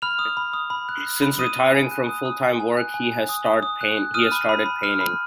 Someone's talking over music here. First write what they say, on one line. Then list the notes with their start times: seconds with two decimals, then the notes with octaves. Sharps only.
Since retiring from full-time work, he has started painting.
0.02 B5 F6 F7
0.19 D#6
0.37 B5
0.53 D#6
0.70 B5
0.89 F#6
1.05 F#6
1.22 B5
1.39 D#6 D#7
1.57 D#6
1.74 G#5
1.91 F#6
2.09 D#6
2.25 D#6
2.43 G#5
2.60 G#5
2.77 F#6
2.94 G#5
3.12 G#5
3.29 D#6
3.46 D#6
3.63 D#6
3.81 F#6
3.97 F#6
4.14 D#6 F6 D#7
4.32 B5
4.49 B5
4.66 B5
4.83 F6
5.01 B5